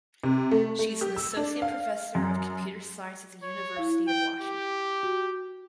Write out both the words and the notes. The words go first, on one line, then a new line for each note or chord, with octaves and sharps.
She is an associate professor of computer science at the University of Washington.
C3
A3
A3
G4
E6
D4
F5
F#2
C#5
E4 F5
G5
G4
F#4